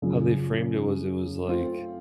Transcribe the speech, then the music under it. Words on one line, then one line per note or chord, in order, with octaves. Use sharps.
how they framed it was it was like,
F#2 C#3 F3
A3 C4 F4